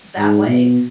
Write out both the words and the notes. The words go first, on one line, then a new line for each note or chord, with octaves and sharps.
that way.
G#2
B2